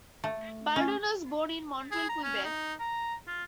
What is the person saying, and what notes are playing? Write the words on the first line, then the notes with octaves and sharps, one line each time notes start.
Baldwin was born in Montreal, Quebec.
A3
C#4
G#4
A#5
C#4
D#4
A#5
F4